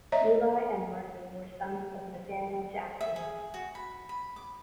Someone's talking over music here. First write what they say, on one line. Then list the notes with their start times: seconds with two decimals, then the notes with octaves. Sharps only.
Eli and Martin were sons of Nathaniel Jackson.
0.12 C#5 D#5 E5 A#5
3.01 E5
3.16 G#4
3.54 F#4
3.75 B5
4.09 B5
4.36 D6